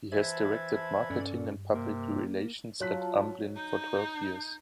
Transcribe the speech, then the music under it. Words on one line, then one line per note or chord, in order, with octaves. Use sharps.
He has directed marketing and public relations at Amblin for twelve years.
E3 C5 E5 A5 B5 G#6
G2 C#4 A4 D5
C3 A#3 A#4
F#3 F4 A5 F#6 B6
D#4 G6